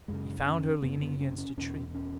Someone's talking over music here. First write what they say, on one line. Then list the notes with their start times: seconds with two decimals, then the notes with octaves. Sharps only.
He found her leaning against a tree.
0.08 F#2 C#3 G#3
0.46 C#4
0.82 F#2 C#3 B3
1.02 B3
1.21 C#4
1.38 C#4
1.57 E2 B2 C#4
1.95 C#4